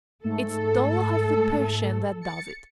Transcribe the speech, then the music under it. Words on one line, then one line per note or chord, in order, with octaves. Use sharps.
It's 'Dolokhov the Persian' that does it!
G#2 A3 A4
A6 C#7